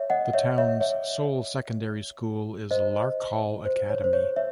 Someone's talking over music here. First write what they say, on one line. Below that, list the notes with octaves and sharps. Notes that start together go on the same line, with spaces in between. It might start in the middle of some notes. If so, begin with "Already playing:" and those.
The town's sole secondary school is Larkhall Academy.
Already playing: C#5 E5
D#5 F#5
C#5 E5
C#5 E5
C#5 E5
C5 D#5
C5
C#5
C5
C#5
C#5 E5